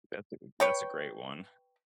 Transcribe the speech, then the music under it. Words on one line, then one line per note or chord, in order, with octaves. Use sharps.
That's a good that's a great one.
B4 C#5 G5